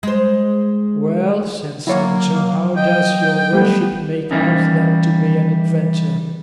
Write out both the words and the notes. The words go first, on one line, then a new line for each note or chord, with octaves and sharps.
"Well," said Sancho, "how does your worship make out that to be an adventure?"
G#3 C5
F#3 A#3 E4 C#5
D#5 G5
G3 A3 B3 G4
E3 F#3 G3 A#3 C#4 D#4